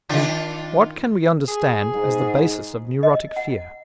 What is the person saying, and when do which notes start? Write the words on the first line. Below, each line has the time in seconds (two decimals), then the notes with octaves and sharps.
And what can we understand as the basis of neurotic fear?
0.09 D#3 D4 F4
1.48 G#4
1.92 G#2
3.03 D#5
3.36 F#5